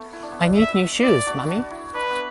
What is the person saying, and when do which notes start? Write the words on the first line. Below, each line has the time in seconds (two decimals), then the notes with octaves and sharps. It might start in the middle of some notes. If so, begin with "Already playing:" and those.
I need new shoes, mommy!
Already playing: A3 B3
0.13 E4
0.23 D4
0.32 B3
0.41 D4
0.58 E5
1.03 E4 D5
1.26 D4 F#4
1.48 D4 F#4
1.71 E4
1.94 D4 B4
2.10 B3